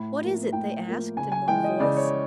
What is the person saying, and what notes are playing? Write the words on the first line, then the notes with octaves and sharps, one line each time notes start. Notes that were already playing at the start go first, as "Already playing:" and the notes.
"What is it?" they asked, in one voice.
Already playing: A2 B5
F3 A#3
A2 G5
F3 A#3
C#3 G#5
G#5
E3 G#3 G5
D#5
C#3 D5
C#5